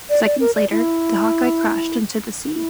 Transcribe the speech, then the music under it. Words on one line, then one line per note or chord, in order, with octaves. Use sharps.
Seconds later, the Hawkeye crashed into the sea.
D5
D5
A#4
D5
E4
E4